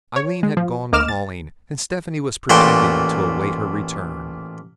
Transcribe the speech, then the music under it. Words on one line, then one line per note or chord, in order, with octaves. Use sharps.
Aileen had gone calling, and Stephanie was pretending to await her return.
C#5
G#3
F3
D2 A#3 D#5 D6 F6 E7
A6
A1 A#2 A3 F#5 G5 C6